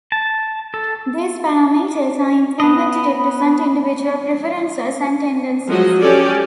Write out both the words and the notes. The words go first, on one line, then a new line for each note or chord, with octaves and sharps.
These parameters are intended to represent individual preferences and tendencies.
A5
A4
B3 D#5 B5
F3 F#3 G#3 F#4 D#5
C#4 G4 A4 D5